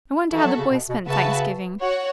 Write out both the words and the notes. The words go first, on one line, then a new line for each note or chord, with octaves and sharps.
I wonder how the boys spent Thanksgiving.
E3 F#4 A4 E5
F#3
C#3
B2
B2
C#3 F#4 B4 E5 A5
F#4 C#5 F#5